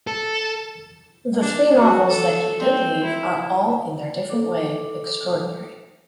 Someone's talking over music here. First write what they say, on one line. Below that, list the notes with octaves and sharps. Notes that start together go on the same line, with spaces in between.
The three novels that he did leave are all in their different way extraordinary.
A4
D4
F#4
A4
C4
E4
A4 D6